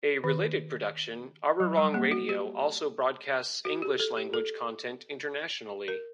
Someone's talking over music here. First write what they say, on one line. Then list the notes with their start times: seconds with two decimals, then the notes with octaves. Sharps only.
A related production, Arirang Radio, also broadcasts English-language content internationally.
0.24 D#3
1.60 F#3
1.77 G3
1.94 A#3
2.11 F#4
2.29 G4
3.65 F#4
3.82 G4
4.00 A4
4.17 G4
4.34 A4
5.88 A#4